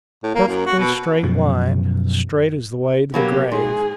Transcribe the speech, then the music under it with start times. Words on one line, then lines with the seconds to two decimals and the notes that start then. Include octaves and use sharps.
Perfectly straight line-straight as the way to the grave.
0.23 A2
0.35 A#3
0.47 F#2
0.66 F#4
0.79 B2
1.23 F#2 B2 F3
3.14 B2 F#3 A#3 G4
3.52 G#2 G#4